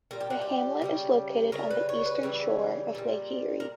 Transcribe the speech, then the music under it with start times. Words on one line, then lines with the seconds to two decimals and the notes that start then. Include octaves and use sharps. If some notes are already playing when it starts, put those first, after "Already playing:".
The hamlet is located on the eastern shore of Lake Erie.
0.11 A#2 G3 A#4
0.21 G4
0.30 F#4
0.41 G4
0.82 C#3 E3 G3
1.52 C#3 G3 A#4
1.70 B4
1.89 C#5
2.05 B4
2.23 C#3 E3 G3
2.95 A#2 G3
3.60 A#4